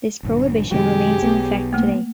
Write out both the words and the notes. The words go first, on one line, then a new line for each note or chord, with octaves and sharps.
This prohibition remains in effect today.
A#1 G2 D3
F#2 C3 D#3 F#3 A3 G4 G#4
B1 B3
A3 A#3